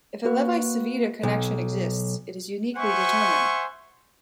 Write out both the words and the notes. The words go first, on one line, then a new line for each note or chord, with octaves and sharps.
If a Levi-Civita connection exists, it is uniquely determined.
A#3 F#4 B4
B1
C5 E5 F#5 G#5 C6 C#6